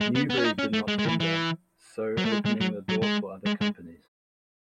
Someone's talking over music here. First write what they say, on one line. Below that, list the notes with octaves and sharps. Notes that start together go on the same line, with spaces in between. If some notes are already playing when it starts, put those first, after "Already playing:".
Newbury did not tender, so opening the door for other companies.
G#3
B3
B3
C#4
D#4
C#4
A3
G#3
G#3
D#3
E3
E3
F#3
A3
G#3
G#3
F#3
F#3
G#3
G#3
G#3